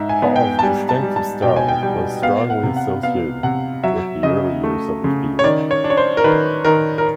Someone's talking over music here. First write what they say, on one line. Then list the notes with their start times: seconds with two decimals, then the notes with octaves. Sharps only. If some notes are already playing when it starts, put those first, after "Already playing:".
Paul's distinctive style was strongly associated with the early years of the field.
Already playing: G#2 E5
0.09 G#5
0.22 B3
0.36 G5
0.59 A5
0.62 G3 G#5
0.89 A5
1.03 G3
1.16 A5
1.42 B2 G5
1.56 G#5
1.68 G5
1.83 G3 G5
2.22 B3 F5
2.50 F#5
2.63 C3
2.77 F#5
3.03 B3 F5
3.43 C3 F#5
3.84 F#3 E5
4.23 C#3 D#5
4.64 A3
5.04 C#3
5.39 C#5
5.44 D#3 D5
5.71 C#5
5.84 D4
5.90 C#5
5.97 C5
6.17 A#4
6.24 D#3 B4
6.64 D#3 A#4
6.98 A#4